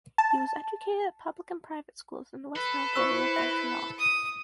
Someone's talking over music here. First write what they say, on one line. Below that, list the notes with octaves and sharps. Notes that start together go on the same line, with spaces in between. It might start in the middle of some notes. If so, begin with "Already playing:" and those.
He was educated at public and private schools in the Westmount area of Montreal.
A5
A4 B4
E4 C5 C#6 E6
E5 B5
D#6